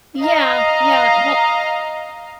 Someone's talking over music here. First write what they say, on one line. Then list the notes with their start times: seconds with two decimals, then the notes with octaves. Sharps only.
Yeah, yeah. Well,
0.20 D#5 F5 A#5